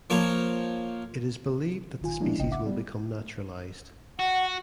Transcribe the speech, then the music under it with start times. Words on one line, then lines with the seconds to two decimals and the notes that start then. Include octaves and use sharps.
It is believed that the species will become naturalized.
0.10 F3 A#3 C#5
2.01 G#1 D#3 F4 G#5
2.20 F3 G#3 A#3 C#4 D4 E4
2.38 G1 C2 C#3 D#5 G5
2.51 E5 F#5 D6
2.66 G3 B3
4.19 F#4 F#5